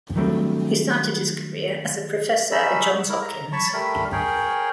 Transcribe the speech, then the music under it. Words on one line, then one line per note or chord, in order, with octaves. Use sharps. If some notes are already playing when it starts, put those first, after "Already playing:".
He started his career as a Professor at Johns Hopkins.
D#3 F#3 G3 A3 C4 D4
C#4 D#4 B5 E6
E4 A#4
A#5
C#5 A5 B5 C#6
G3 A3 A#4 B5
G#4 A#4 C#5 G5